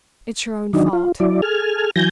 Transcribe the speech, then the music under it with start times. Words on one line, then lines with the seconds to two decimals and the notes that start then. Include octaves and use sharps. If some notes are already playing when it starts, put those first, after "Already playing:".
'It's your own fault.
0.73 D#3 F#3 D4 D#4
0.93 F4
1.20 F#3 E4 D5
1.42 G#4 A4 G#5 F6
1.96 E3 F#3 G#5 G6 A#6